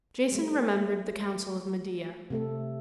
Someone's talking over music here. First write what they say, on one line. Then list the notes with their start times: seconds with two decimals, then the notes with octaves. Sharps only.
Jason remembered the counsel of Medea.
0.32 G3 A3
2.30 C3 A3 A4